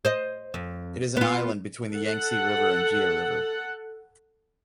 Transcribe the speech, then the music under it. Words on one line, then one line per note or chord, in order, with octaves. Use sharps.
It is an island between the Yangtze River and Jia River.
C5 D#5
F2
B3 F4
A4 F#5